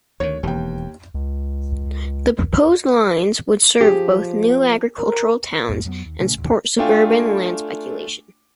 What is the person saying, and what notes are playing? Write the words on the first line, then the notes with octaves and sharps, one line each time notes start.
The proposed lines would serve both new agricultural towns and support suburban land speculation.
D2 D#3 C#5
E1 D#2 E3 G5
C#2
F3 G4 G#4
A#4
A#1 E2 G#2 A#3
F2 F#3 A#3 B3
D#2
A#2 C#3 A3 C#4
A1 D#2
A3 D4 F4 G5 G#5